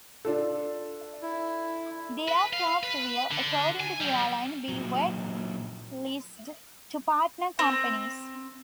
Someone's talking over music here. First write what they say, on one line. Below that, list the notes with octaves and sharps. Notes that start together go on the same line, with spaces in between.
The aircraft will, according to the airline, be wet-leased to partner companies.
D4 F4 A4
E4
B4
F5
B4
D3
G#5
F#3 G3
A#2 F#3
C4